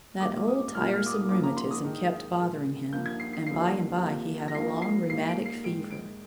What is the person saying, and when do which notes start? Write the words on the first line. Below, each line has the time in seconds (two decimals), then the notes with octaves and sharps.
That old, tiresome rheumatism kept bothering him, and by and by he had a long rheumatic fever.
0.20 G#2 D#3 G3 A#3 D6
0.47 D#6
0.75 A#2 G3 A#3 F6
0.93 F6
1.06 D6
1.11 D#6
1.29 G2 F3 A#3 D6
1.43 A#5
1.57 C6
1.70 D#6
1.83 G#2 D#3 G#3
2.39 A#2 G#3
2.92 G2 F3 A#3 G6
3.06 G#6
3.20 C7
3.33 C7
3.46 F2 D3 G3 A#3 C7
4.01 C3 F3 A#3
4.48 A#6
4.55 G2 F3 A#3 C7
4.82 C7
5.10 G#2 G3 A#3 C7
5.28 D7
5.46 C7
5.64 G#2 D#3 G#3 D7
5.91 D7